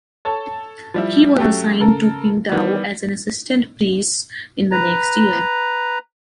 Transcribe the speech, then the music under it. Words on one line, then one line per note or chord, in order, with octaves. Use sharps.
He was assigned to Qingdao as an assistant priests in the next year.
A4 C#5 A5
F3 G3 E4
F#3 A3 C#4 G4
C#3 A4 A#4
D#3 E3 G3 B3
B4 A#5